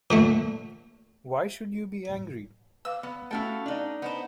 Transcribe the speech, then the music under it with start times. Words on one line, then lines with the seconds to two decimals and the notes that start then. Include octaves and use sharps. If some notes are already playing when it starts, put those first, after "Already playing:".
Why should you be angry?
0.11 A#2 D3 A3
2.85 B4 F5 D6 E6
3.03 B3
3.31 A3 C#4 E4 F#4 A4 F5 G5
3.66 D4 D#4
4.02 B3 D#4 E4 C5